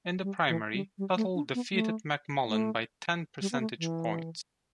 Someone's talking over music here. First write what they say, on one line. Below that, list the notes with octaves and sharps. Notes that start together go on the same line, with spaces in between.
In the primary, Tuttle defeated McMullen by ten percentage points.
G3
E3
G3
G3
A3
D4
B3
A3
A3
G3
B3
A3
E3